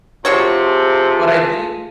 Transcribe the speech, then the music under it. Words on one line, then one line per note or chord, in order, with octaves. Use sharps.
But I think
C3 F3 F4 F#4 G#4 C#5 A5